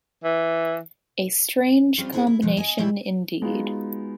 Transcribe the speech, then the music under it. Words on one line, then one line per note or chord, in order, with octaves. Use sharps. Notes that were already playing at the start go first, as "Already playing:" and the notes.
A strange combination indeed.
E3
G3 C4 C#4 F4
C4 D#4 E4 F#4 G#4 A4
E4
B2 D3 F3
D#5 G#5
A#2 F#3 G3 E4 G4
G#3 B3 D#4 F4 F#4